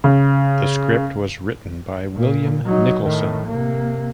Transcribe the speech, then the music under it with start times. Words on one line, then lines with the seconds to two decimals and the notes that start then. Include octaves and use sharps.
The script was written by William Nicholson.
0.04 C#3
2.16 A#2
2.66 F#3 D#4
3.04 A2 D#3
3.46 C3 A#3